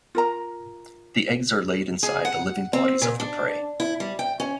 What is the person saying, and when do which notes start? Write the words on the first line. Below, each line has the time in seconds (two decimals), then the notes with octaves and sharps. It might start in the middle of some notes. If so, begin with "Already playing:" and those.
The eggs are laid inside the living bodies of the prey.
0.15 F4 A#4 A#5
2.03 G#4
2.25 F#5
2.73 C4
3.01 A#2
3.20 D4
3.80 E4
4.00 G3
4.19 G5
4.40 C#4